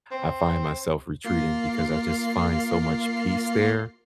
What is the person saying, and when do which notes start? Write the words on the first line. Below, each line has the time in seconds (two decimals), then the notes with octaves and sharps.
I find myself retreating because I just find so much peace there,
0.11 C4
1.25 A#3 F4 C7